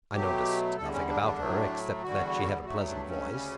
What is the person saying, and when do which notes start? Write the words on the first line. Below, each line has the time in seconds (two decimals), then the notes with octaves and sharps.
I noticed nothing about her except that she had a pleasant voice.
0.13 B2 F#3 A3 G4
0.76 E2 D3 G3 A4
0.92 C#4
1.08 D4
1.24 D4
1.39 A2 F#3 A3
2.03 E2 D3 G3 F#4
2.65 G2 F#3 A3 F#4
2.87 D4
3.08 C#4
3.29 D2 C#3 G3